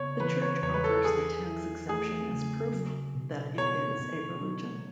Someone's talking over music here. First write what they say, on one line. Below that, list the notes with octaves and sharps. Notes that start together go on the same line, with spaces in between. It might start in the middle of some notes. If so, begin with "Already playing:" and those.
The Church offers the tax exemption as proof that it is a religion.
Already playing: C#3 B3 C#5
E3 B4
C#5
E2 C#5
B4
A4
E3 G#4
E4
A3 G#4
C#3
F#3
B2
B3 C#5
B2
F#3